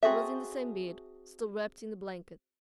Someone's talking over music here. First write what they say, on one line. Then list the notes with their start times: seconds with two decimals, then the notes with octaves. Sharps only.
He was in the same bed, still wrapped in the blanket.
0.03 C4 F#4 G#4 A4 E5